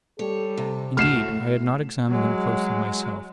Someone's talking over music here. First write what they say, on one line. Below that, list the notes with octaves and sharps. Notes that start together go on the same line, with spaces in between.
Indeed, I had not examined them closely myself.
G3 A4 C#5
C3
A2 A3 F#4 F6 C7 E7
F#3 G#3